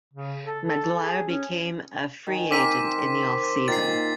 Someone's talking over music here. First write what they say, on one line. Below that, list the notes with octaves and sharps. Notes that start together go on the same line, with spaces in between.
Magloire became a free agent in the off-season.
C#3
A4
A4
G#4
C#4
D#3 G#5
C4 A#4 D6 B6 D#7
A#2 D#3 A6 C7